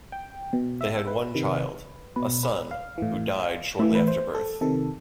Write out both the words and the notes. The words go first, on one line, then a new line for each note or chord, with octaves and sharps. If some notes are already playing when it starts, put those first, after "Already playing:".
They had one child, a son, who died shortly after birth.
G5
B2
E5
B4
C3 D#3
B2 B4
B4
F5
A2 E3
A2 E3 E5
B4
C5
A4
C3 D#3 A4